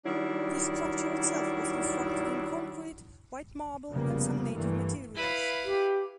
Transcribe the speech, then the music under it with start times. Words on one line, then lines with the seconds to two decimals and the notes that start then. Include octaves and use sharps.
The structure itself was constructed in concrete, white marble and some native materials.
0.05 D#3 F#3 G3 D4 E4
3.91 F1 C#3 F3 G3 A#3 B3
4.55 G2 E3 A3 A#3
5.15 E4 B4 F5
5.64 G4